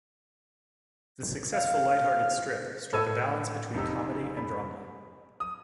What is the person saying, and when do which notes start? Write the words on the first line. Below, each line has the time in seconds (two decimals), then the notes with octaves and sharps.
The successful lighthearted strip struck a balance between comedy and drama.
1.53 F5
2.93 A2 A4 E6 G#6 D#7
3.75 F1 D#4 G4 E6
4.37 B5
5.40 D#6